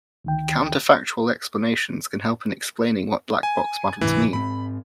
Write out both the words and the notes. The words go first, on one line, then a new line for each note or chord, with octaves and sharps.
Counter-factual explanations can help in explaining what black-box models mean.
D2 D#3 G5
G#5
D2 G#2 C3 E3
G#2 C4 B5